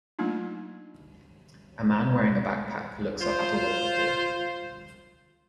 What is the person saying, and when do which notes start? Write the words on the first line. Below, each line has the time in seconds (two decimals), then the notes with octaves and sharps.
A man wearing a backpack looks up at a waterfall.
0.19 F#3 A3 A#3 D4 D#4 F4
3.21 F4 C5